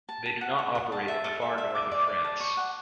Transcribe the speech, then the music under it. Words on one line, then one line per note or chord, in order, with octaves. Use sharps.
They do not operate in the far north of France.
A5
A5
F#5
F#5
F#5
A5
E5
A4
E5
E5
D6
D5
D5
A5
C#6
F#5